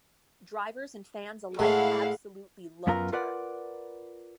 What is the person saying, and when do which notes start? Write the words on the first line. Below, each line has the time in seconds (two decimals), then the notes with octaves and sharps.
Drivers and fans alike absolutely loved her.
1.59 A2 G#3 A3 E4 F5 F#5
2.87 F#2 B3 F4 A#4 A#5
3.12 F4 A#4 B4 D5 F#5